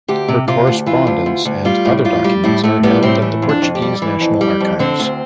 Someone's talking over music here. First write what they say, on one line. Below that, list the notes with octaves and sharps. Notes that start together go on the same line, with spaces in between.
Her correspondence and other documents are held at the Portuguese national archives.
D2 G4
C3
C3 F4
D2
E3 F4
D2
D2
D2
G3 F4
A2
G3 F4
G3
A2 E4
A2 A3
G3 B3
A2 C4
E3
F2
D4
F2
G4
G3
E3
F2
G3
F2
D3 C4
D2